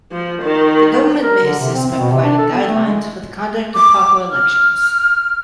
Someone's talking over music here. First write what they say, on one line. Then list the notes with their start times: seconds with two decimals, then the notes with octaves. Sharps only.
The Government may assist by providing guidelines for the conduct of proper elections.
0.12 F3
0.42 D#3
1.22 A#4
1.43 D3
1.59 C3
1.74 C4
1.86 C4
1.99 B2
2.11 C3
2.23 D4
2.38 A4
2.51 B3
2.65 A3
2.86 G#3
3.73 D6
4.31 F6